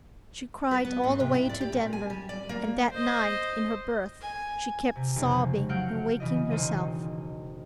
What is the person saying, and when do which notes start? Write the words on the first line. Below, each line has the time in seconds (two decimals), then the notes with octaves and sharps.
She cried all the way to Denver, and that night, in her berth, she kept sobbing and waking herself.
0.71 B4
0.85 B3
1.04 G#2
1.20 C3
1.35 E4
1.49 D5
1.61 G4
1.72 A#2
1.93 G#5
2.10 G3
2.29 D5
2.49 A#3
2.92 C5 D#5
4.21 G#5
4.96 C3
5.16 F1 C#3 C5
5.69 F#3 F5 F#5 G6 C#7 D7
6.20 C#3 E3 D#5
6.51 E1 D#3 C5 D#7